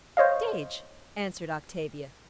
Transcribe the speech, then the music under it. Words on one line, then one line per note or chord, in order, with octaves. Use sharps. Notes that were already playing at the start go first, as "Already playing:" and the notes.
"Stage," answered Octavia.
C5 C#5 D#5 F5